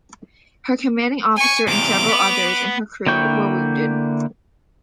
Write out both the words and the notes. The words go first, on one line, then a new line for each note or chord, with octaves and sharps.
Her commanding officer and several others in her crew were wounded.
G#5 C#6
E2 C3 D6 F7
B3 B4
D3 A#3 E4 G5 C#6